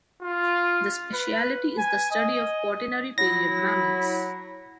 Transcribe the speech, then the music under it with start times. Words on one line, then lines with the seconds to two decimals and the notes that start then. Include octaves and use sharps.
The specialty is the study of quaternary Period mammals.
0.21 F4
1.14 B4
1.78 G#5
2.12 D#5
3.18 F#3 E4 A#6